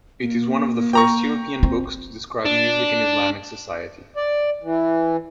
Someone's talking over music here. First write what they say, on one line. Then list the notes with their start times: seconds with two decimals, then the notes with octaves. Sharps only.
It is one of the first European books to describe music in Islamic society.
0.21 A#3
0.93 G5 A#5 C#6
1.63 C4
2.46 D4
4.16 D5
4.63 E3